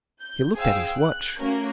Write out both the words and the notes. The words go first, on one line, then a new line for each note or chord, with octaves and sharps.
He looked at his watch.
G6
G#4 C5 F5 G5 E6
F#6
A3 A#3 C#4 F#4 A#4